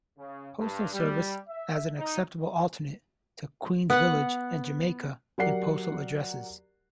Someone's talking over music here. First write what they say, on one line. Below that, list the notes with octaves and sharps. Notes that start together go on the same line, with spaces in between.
Postal Service as an "acceptable alternate" to Queens Village and Jamaica in postal addresses.
C#3
G2
G3
E5
D#4
B3 F#5
F#3 G4 A#4 D5 F#5 C7